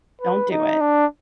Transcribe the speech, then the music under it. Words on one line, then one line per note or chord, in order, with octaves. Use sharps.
Don't do it.
B4
D#4
D4